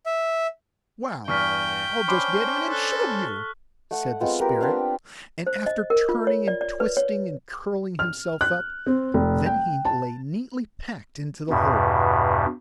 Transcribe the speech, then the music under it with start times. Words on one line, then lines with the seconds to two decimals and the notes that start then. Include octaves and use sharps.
'Well, I'll just get in and show you,' said the spirit, and after turning and twisting, and curling himself up, then he lay neatly packed into the hole.
0.06 E5
1.28 E2 G2 G5 C#6 F6 B6
2.08 C#4 D4 C5 B5 C6 D6
2.70 A4 E6 F#6 G7
3.91 A3 F#5
4.21 G#3 B3 C4 F4
4.40 G4 A#4 B4
4.60 B3 C4 D4 F5
5.47 C5
5.66 D#5
5.90 A#4
6.09 F4
6.27 C#5
6.48 D5
6.61 D5
6.80 B4
6.97 C#5
7.99 F6
8.41 F#6
8.87 C4
9.14 F1
9.46 G5
9.85 A5
11.50 E2 G2 B2